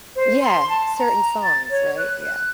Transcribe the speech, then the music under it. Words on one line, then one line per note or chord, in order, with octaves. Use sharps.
Yeah. Certain songs, right? Yeah.
C5
C6
A5
A#5
A6
C#5
F#6